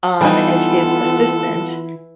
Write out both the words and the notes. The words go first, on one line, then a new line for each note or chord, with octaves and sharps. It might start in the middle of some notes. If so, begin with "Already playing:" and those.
on as his assistant
E3 G3 B3 D#4 F4 A4